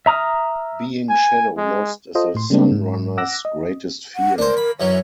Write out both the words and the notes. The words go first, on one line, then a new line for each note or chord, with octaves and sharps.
Being Shadow-lost is a Sunrunner's greatest fear.
E5 A#5 D#6 F6
G#5
G#3
F4 A4 C5 D#5
A2 C6
C#3 G3 G#3 A#3 C4 D4
G#2
F#5 D6 E6 F#6 A#6
D#5
F#5
D4 A#4 C5
B5
F#2 E3 F#3 C#5